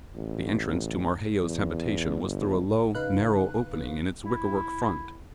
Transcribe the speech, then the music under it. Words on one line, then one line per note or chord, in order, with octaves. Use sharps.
The entrance to Marheyo's habitation was through a low narrow opening in its wicker-work front.
A1
E2
G1
C#3 D#4 B4 F5 F#6
E4